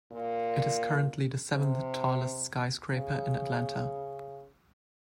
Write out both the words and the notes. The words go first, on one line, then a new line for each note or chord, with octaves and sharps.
It is currently the seventh-tallest skyscraper in Atlanta.
A#2
C3
C#3